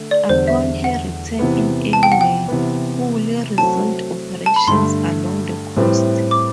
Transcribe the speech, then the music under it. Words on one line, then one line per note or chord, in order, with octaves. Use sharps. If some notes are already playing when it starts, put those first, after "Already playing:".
Upon her return in early May "Hull" resumed operations along the coast.
Already playing: D3 A3
D5
E2 D3 G3 C5
E5
F#5
C3 E3 B3
A5
G5
F#5
G5
C3 E3 B3
F#3 A3 C4 F#4 A5
A5
B5
G2 D3 A3 C6
A2 G3 C4 E4 B4
D6